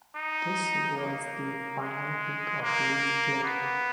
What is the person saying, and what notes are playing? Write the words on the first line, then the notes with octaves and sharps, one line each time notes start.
This was the final week of league play.
D#4
A#3
G#3
A#3
B3